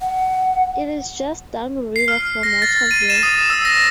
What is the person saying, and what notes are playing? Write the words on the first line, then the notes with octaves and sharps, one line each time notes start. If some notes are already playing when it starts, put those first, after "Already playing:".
It is just downriver from Waterville.
F#5
C7
F6
A#6
A6
D#7
E7
D#6
E6
A#6